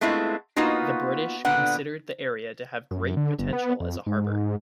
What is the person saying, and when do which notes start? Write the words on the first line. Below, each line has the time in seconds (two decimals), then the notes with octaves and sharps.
The British considered the area to have great potential as a harbour.
0.01 G#3 A3 B3 C4 E4 F4
0.56 A#3 B3 D#4 F4 F#4
1.45 A#2 D3 B3 F#5
2.91 F#2
3.17 D3
3.39 G1
3.53 B3
3.80 F2
4.07 G#2